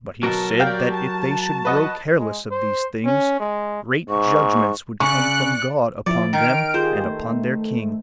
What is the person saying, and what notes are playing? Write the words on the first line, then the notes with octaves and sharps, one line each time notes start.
But he said, that if they should grow careless of these things, great judgments would come from God upon them, and upon their king.
B2 F#3 A#4 A5
G4 D5 F5 G5
A5
B4 D#5 F#5
G#3
C5
C#4
G#3
G#2 C#6
C#3 D5 C#6 F#6 C#7
F3 E4 D5
D#3 F6 D7
F4 G4 G#4 C5
A3